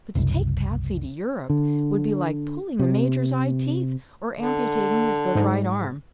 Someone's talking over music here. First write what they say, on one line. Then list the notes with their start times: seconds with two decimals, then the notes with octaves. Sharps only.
But to take Patsy to Europe would be like pulling the Major's eye teeth or amputating his good right arm.
0.15 F#1 C2
1.50 D3
2.79 C3
4.40 D3
5.35 G#2